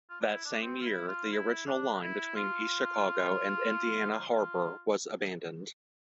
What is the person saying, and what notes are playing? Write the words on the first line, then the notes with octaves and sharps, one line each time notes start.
That same year, the original line between East Chicago and Indiana Harbor was abandoned.
F4
D4
E4
D4
C4
F4
E4
F4
E4
D4
D4
E4
F4
F4
F4